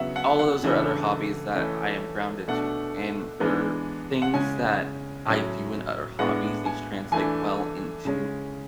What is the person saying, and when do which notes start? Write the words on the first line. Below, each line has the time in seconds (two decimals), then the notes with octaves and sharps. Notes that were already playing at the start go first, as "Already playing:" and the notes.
all of those are other hobbies that I am grounded to, and for things that I do in other hobbies, these translate well into
Already playing: C#3 F#3 B3 E5 F#5
0.16 F#5
0.39 F#5
0.63 C#3 E3 A3 D4
1.55 E3 A3 C#4
2.47 B2 A3 D4 F#5
3.40 E3 G#3 B3 D4
4.22 F#5
4.34 C#3 G#3 C#4 G#5
5.26 A2 F#3 C#4
6.19 A2 G#3 B3 D4 F#5
6.66 G#5
7.12 E3 A3 D4 G#5
8.05 C#3 G#3 C#4